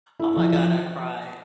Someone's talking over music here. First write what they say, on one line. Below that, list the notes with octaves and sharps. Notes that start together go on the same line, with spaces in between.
oh my god, I cried.
E4
F3
F3